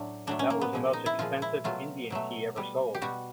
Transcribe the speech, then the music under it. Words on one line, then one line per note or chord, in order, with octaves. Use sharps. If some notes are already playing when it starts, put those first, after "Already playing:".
That was the most expensive Indian tea ever sold.
Already playing: A2 F#3 A3 D4
A2 F#3 A3 D4
C#4
A#3
B3
A#2 F3 G#3
D#4
E4
A#2 F3 G#3 F4
E4
B2 F#3 A3 F4
B2 F#3 A3
B2 G3
G4
B2 G3 F#4